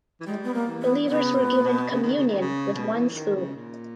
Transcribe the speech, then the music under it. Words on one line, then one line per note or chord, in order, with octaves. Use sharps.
Believers were given Communion with one spoon.
E3
G3 G#3
B3
A#3
E3
B3
C#3 B3
A#2
B2
C#3
D#3
C#3
D#3
C#3
B2
E3
D#3
C#3
A#2